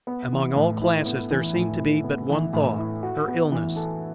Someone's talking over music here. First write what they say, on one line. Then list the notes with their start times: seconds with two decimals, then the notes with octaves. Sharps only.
Among all classes there seemed to be but one thought--her illness.
0.07 B3
0.33 E3
0.56 A2
0.82 E4
1.06 B3
1.31 E3
1.55 A2
1.80 E4
2.04 B3
2.29 E3
2.53 A2
2.79 E4
3.03 F#4
3.28 B3
3.52 E3
3.76 A4